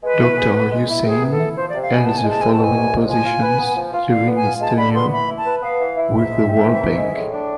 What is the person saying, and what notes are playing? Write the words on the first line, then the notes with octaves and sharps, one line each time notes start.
Doctor Husain held the following positions during his tenure with the World Bank.
G#3 B4
E4
G#4
B3
G#3
E4
C3 G#4
B3
A4
E4
F3 C5
D5
C3
F5
B3 G#5
C2 A5
G#5
G#3
A5
C4 G#5
B2 A5
G#5
C2
G#3
F3 G#5
F4
B4
B3
F3
F4
D3 F5
B3
G#5
F4
G#3 A5
D3 B5
B3 C6
E3 B5
E4
A5
B4
B3 F5
E3
E4
G#2 E5
G#3
C4
E3
G#2
G#3
A2
D4